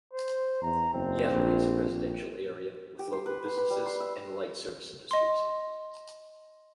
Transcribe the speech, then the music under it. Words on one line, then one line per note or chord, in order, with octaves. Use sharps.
Yateley is a residential area with local businesses and light service industries.
C5
E2 A#5
F#1 C4
A#1
A#1
G4
C5
B4
C6
B4
G3
C6
E5
D#5 C6